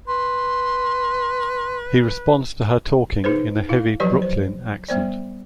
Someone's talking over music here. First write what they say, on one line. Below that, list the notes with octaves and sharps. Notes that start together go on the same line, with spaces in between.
He responds to her talking in a heavy "Brooklyn" accent.
B4 C6
D#4 G#4 B4 C5
E4 F5
F3 F#3 G4 B4 C#5 D5
C5
G3 B3 C5 D5